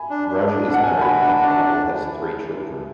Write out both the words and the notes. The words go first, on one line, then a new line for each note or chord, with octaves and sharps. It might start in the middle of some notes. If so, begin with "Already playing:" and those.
Raja is married and the couple has three children.
Already playing: G#5 B5
D4
D4
D4
B2
F#5
B2 G#5
A5
F#4 G#5 B5
D4
F#5 A5
D4
F#5 A5